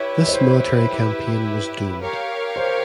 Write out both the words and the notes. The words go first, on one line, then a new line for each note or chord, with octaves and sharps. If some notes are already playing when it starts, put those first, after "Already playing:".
This military campaign was doomed.
Already playing: E4 G4 B4 C#5
C#5
C5
G4 A#4 C#5 F5
C5